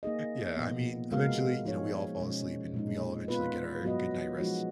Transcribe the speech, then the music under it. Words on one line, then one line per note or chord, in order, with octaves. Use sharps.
yeah. I mean, eventually, you know, we all fall asleep, and we all eventually get our good night rest.
A#3 D#4 G#4 D#5
A#2 F3 B3
G#3 B3 F#4 A#4 F5
F3 G#3 D#4 G#4 C#5
B2 G#3 C#4
A#2 G#3 D#4
B3 F4 B4
F#3 B3 F#4 B4 D#5
F3 G#3 D#4 F#4